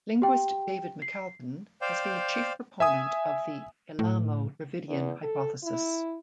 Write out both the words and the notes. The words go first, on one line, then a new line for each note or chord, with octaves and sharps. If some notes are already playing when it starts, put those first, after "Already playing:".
Linguist David McAlpin has been a chief proponent of the Elamo-Dravidian hypothesis.
G4 G5
C7
C5 D5 F5 G5
E5 G#5 D#6
A2
E2
A4
E4